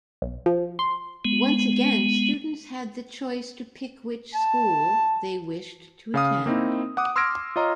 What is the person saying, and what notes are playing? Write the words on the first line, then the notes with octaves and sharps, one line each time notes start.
Once again, students had the choice to pick which school they wished to attend.
B1
F3
C6
G#3 B3
A5
C#3 F5 D#6
A#3 C4 D#4 E4
F#5 D6 D#6
C6 E6 F6 G#6 A#6 D7
F4 C#5 D#5 A#5